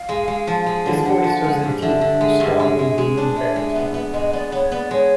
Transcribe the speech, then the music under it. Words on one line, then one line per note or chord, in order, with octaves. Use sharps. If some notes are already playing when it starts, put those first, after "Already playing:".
His voice was a deep, strong and booming baritone.
Already playing: F5
G#3
G#3
F3
G#3
D3
D3 F#5
F3
G#3
G2
D3 E5
D3
G#3
G2
G#3
G#3
G#3
D4
G#3 E5
G#3
B3
B3
G#3 D#5
B3 D5
B3 C#5
B3 D5
G#3 C#5